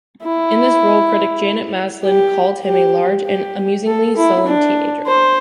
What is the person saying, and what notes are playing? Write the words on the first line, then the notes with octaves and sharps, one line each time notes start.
In this role, critic Janet Maslin called him a "large and amusingly sullen teenager".
E4
G4
G4
G4
A4
E4
D4
C5